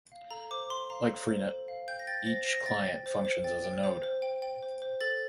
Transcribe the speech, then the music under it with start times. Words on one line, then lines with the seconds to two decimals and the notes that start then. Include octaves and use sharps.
Like Freenet, each client functions as a node.
0.12 F5
0.31 A4 A#5
0.51 C5 D6
0.70 A4 C6
0.90 F5 A#5
1.09 A4
1.29 C5
1.49 A4
1.68 F5
1.88 G5 G6
1.99 A#6
2.07 G5 A6
2.26 C5 A#6
2.46 C5 A#6
2.66 G5 A6
2.86 G5
3.06 C5
3.25 C5
3.44 G5 A6
3.64 G5
3.84 C5
4.03 C5
4.22 G5
4.42 G5
4.63 C5
4.82 C5
5.01 A4 A6